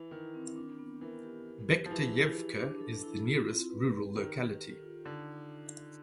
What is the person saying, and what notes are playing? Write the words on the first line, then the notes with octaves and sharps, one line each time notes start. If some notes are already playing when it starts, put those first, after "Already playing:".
Bekhteyevka is the nearest rural locality.
Already playing: E3
D#3 E4
C4
D4
B3
E3 A#4
G4
A#4
G4
F3
E3 G#4
E4
G4
D4
A4
E4
F4
C4
B4
G4
D#3 A#4
G4
A4
F4
D3 D#4